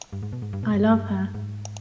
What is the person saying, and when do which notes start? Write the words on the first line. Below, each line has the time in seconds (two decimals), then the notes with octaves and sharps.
I love her.
0.13 G2
0.23 G#2
0.33 B2
0.42 G#2
0.53 G2
0.63 B2
0.74 G2
0.83 G#2
0.93 G2
1.34 G#2